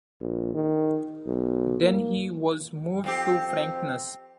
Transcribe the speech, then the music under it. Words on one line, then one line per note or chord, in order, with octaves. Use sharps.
Then he was moved to frankness.
A#1
D#3
B1
A#3
F2 C4 G4